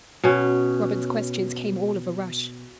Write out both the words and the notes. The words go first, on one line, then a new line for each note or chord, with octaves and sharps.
Robin's questions came all of a rush.
B2 C#4